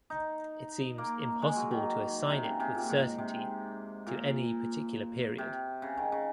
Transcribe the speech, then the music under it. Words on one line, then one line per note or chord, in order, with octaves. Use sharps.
It seems impossible to assign it with certainty to any particular period.
D#4
A#3
G#3
F#3
D#3
C3
C#3
C3
A#2
G#2
C3
A#2
C3
C#3
D#3
C#3